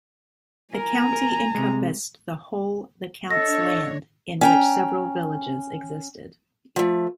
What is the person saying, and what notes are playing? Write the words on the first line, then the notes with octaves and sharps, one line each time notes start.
The 'county' encompassed the whole the Count's land in which several villages existed.
A#4 G#5 A#5
A#4
C3 G#3
D4 A4 C#5 D#5 A#6
C#4 G5 A#5
F3 A3